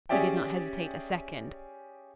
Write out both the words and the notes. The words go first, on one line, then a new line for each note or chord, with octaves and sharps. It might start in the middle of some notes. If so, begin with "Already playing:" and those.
He did not hesitate a second.
C#4 G4 G#4 D5 E5 G5